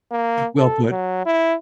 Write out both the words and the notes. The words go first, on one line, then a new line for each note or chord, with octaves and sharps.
Well put.
A#3
A4
F#3
E4